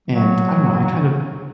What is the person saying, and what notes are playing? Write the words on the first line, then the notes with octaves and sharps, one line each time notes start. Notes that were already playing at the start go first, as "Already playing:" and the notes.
and I don't know, I kind of
F#3